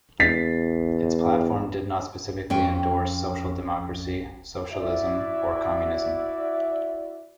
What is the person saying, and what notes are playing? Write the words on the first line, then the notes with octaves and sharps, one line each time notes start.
Its platform did not specifically endorse social democracy, socialism, or communism.
E2 A6 B6 C7
F2 C#4 G5
E4 F#4 D5 E5